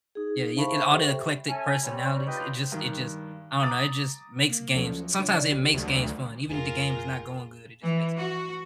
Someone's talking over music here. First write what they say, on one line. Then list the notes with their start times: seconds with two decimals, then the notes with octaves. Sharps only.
yeah, i it all the eclectic personalities, it just it just I don't know, it just makes games sometimes it makes games fun, even the game is not going good, it just makes games fun.
0.15 D#4 G#4
0.40 D#4
0.56 C5 E5 F5 A5 B5 C#6
0.89 G4 A4 C5 E5 G5
1.48 C#4 A4 E5 G#5
1.83 G3 C4 C#5
2.25 D#4 F4 G4 B4 D#5 G5
2.72 G2 D#3
3.63 A#5 D6 D#6 A6
4.50 A#3
4.74 D2 F3 F#3 C#4 A4
5.19 C#3 F3 D4 C#5 D5
5.51 B1 G4
5.74 D2 D#3 F#3 G#3
6.49 F1 F4 G#4 A#4
7.82 E3
8.16 F#4